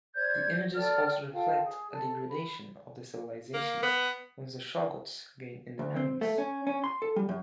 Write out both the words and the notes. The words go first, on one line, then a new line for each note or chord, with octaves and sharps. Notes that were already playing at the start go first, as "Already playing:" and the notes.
The images also reflect a degradation of their civilization, once the shoggoths gain independence.
C5 D5 G6 G#6
A4 D5 G5 F6
F4 A4 F5 G5
G#4
A4
B5
A#3
B3
D2
C4
A3
C#4
C#4
C6
A4
G3
F#2